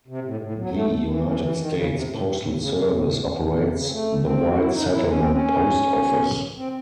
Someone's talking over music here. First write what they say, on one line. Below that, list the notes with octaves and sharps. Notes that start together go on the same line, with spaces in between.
The United States Postal Service operates the White Settlement Post Office.
C3
A2
G#2
A2
F#3
A3
E3
E3
E3
D#3
C#3
C3
A2
G#2
A2
C#3
A2
C3
A2
A2
A2
C3
C#3
C4
A3
C4
F#4
E4
D#4
E4
C#4
C4
C#4
C4